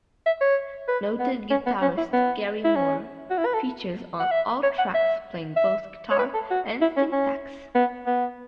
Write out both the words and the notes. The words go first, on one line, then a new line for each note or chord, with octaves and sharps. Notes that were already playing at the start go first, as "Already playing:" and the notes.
Noted guitarist Gary Moore features on all tracks playing both guitar and synthaxe.
E5
C#5
B4
B3
C#4
B3
C#4
E4
B3
E4
C#4
F#4
E4
B4
A4
F#5
E5
C#5
F#5
E5
E5
C#5
B4
A4
F#4
E4
C#4
C#4
B3
B3